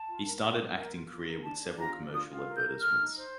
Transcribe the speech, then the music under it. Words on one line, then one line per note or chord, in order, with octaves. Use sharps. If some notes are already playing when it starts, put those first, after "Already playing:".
He started acting career with several commercial advertisements.
Already playing: A5
F4
A#4
F4
A#4
A#4
F4
F4
A#4
D4 A5
D4
F4 A#5
D4
F4 D#6
F4
A#4
G6
A#4
A4 F6
D#4
C5